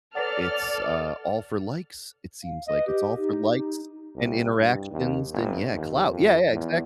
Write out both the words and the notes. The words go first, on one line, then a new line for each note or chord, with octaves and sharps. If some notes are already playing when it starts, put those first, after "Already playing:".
it's, uh, all for likes, it seems, like, it's all for likes and interactions, and yeah, clout, yeah, yeah, exactly,
A4 B4 C#5 D5 F#5 F6
F5
B4 D#5
G4
D#4 G4
C2
G2
D#2
G1
D#2
F2
E2